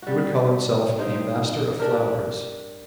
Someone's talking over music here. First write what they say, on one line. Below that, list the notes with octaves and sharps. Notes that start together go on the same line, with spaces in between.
He would call himself a Master of Flowers.
G3 F#4
G2 D#4 C5 G5
D4 G4 A#4